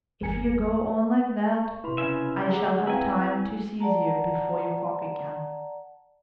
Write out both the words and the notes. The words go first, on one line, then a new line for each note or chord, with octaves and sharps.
"If you go on like that, I shall have time to seize you before you cock again."
G1 E2 A#4 G#5 C#7
C#6
C3 E4 B4 B5 C6
C#3 C#4 E5
D3 G#4 F#5 A#5
C4 E4 B4 F5 G5 G#5 A#5
D5 F#5 A5 A#5